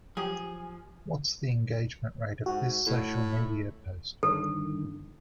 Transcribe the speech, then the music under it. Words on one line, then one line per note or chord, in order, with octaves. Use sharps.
What is the engagement rate of this social media post?
F3 F#3 G4 G#4
G#2 F#4
A2
G2 D3 D#3 A4